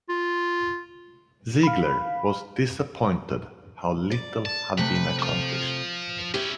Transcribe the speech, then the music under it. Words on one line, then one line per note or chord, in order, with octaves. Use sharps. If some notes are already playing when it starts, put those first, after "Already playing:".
Ziegler was disappointed how little had been accomplished.
F4
F5 B5
D5
A5
C3 A3 B4
F3 F4
C#4 E4 G4 E5